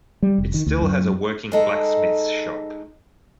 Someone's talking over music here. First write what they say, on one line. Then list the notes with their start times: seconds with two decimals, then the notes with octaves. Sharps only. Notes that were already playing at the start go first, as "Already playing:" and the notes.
It still has a working blacksmith's shop.
0.23 G3
0.38 F1
0.54 D#3
0.67 D2
0.82 F#2
1.52 G#3 D#4 A4